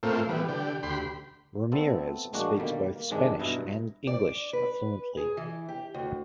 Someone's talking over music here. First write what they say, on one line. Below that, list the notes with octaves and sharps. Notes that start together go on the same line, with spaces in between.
Ramirez speaks both Spanish and English fluently.
A2 A3 A#3 C4 F4
E3 G3 B3
D3 G4
D2 G4 B5 C6
A3 B3 C4 A4
A#1 G#3 A#3 D4 F#4
B2 D3 D#3 G3 A#3
A#3
G2 C3 D#3 G#3 D4
G2 B2 E4 D#5 A#5
D5
B4
G#4
E3
G4
D2